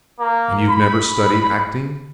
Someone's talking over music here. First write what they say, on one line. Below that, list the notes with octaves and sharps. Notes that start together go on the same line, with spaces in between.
"And you never studied acting?"
A#3
B5